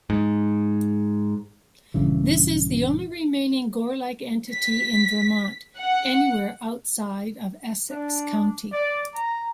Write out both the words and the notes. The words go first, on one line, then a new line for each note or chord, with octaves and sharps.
This is the only remaining gore-like entity in Vermont anywhere outside of Essex County.
G#2
A#1 G2 C#3 E3
B6
F#5
D4
D5
A#5